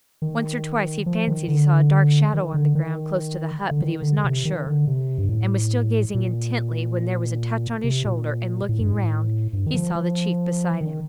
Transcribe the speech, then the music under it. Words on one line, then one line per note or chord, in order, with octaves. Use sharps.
Once or twice he fancied he saw a dark shadow on the ground close to the hut, but he was not sure, and was still gazing intently when there was a touch on his shoulder, and, looking round, he saw the chief beside him.
D#3
F3
D#3
D3
D#3
D3
D#3
D3
D#3
D3
D3
C3
D#3
D3
C3
G2
A2
A#2
C3
A#2
A2
G2
A2
G2
D#3
F3
F3
D#3